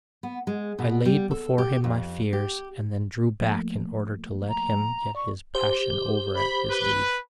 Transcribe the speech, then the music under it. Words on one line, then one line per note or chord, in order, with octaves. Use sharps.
I laid before him my fears, and then drew back in order to let him get his passion over at his ease.
B3
G#3
B2
G3
A4
G4
F2
G4
F3 A3 A#3
A#5
D5 C#6
G4 C5
B5
B4